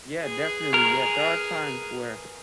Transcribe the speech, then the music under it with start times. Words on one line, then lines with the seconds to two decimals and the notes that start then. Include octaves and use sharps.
Yeah, definitely. Yeah, there are times where
0.23 G#4 B4
0.74 A#4